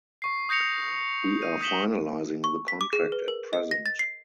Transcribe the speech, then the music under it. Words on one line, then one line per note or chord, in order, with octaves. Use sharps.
We are finalising the contract at present.
C#6 C7
D#6 G6 A#6 C#7 F7
D#7
D#6 G6 B6 E7 F#7 G7
C#6
B6
D6
G#4
B4
A#4
D#5
A#6
A6
C7